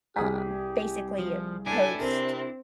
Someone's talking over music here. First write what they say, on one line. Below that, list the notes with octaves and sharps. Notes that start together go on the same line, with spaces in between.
uh, basically post,
C2 G4 G#4 B6
F3
D4 E4 G4 A4 G#5
C3 C4 A#4